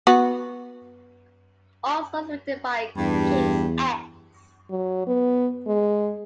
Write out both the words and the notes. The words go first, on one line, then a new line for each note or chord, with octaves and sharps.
All songs written by King's X.
B3 F#4
E2 G2
F#3
B3
G#3